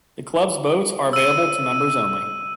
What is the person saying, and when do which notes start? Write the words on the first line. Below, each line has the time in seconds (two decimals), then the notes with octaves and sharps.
The club's boats are available to members only.
1.13 E6 D#7